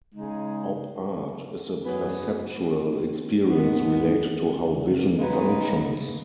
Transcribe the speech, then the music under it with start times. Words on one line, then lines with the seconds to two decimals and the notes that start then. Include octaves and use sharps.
Op art is a perceptual experience related to how vision functions.
0.13 C#3 G#3 D#4 G#4
1.82 F#2 F#3 B3 G#4
3.49 G#2 D#3 B3
5.18 C#3 G#3 B3 D#4